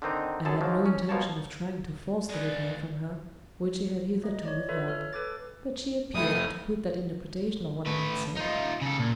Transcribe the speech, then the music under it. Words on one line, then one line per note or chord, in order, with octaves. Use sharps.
I had no intention of trying to force the reply from her which she had hitherto withheld; but she appeared to put that interpretation on what I had said.
D3 D#3 C4 D#4
F#2 G#4 A4 A5
G#2 F3 F#3
C#4
B2 F3 A#3 C#5 A5
G#3 B4 D5
A3 D#5
C#5 D5
F4 A4 B4 C#5 E5 B5
C#5 F6
A4 B4 D6 A6
F2 A3 E4 D#6
A3 B4
D#4 F4
C#3 A4
A#2